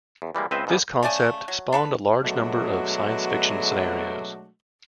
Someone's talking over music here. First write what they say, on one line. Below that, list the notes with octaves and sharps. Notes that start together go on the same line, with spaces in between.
This concept spawned a large number of science fiction scenarios.
E2
E3 G3 G#3 A#3
C#2 C4 B4 C5 D#5 E5
G#2 E3 F3 G3
C#3 A3 D5 G#5
F#3
D4 A4 B4
B2 F#3 G#3 A3 D4 F#4